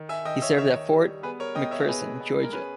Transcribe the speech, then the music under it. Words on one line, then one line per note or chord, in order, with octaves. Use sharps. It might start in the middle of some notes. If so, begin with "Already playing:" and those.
He served at Fort McPherson, Georgia.
Already playing: D#3
E5 G#5
D#3 D#5 G5
C#5 E5
D#3 C#5 E5
G3
B3 G#4 B4
A#4 C#5
B2 D#5 G5
C#5 E5
B2 G#4 B4
B3
A#4
C#4 G#4 B4